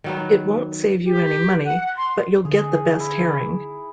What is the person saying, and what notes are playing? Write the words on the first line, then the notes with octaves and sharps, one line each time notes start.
It won't save you any money: but you'll get the best herring.
D#3 F#3 B3
G4
F#5
C6
D3 G#4
E4